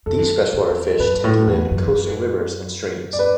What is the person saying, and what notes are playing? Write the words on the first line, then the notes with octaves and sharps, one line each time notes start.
These freshwater fish tend to live in coastal rivers and streams.
F#2 A4
E2
F#2 B4
A2
E2
F#2
E2
F#2
D5
B4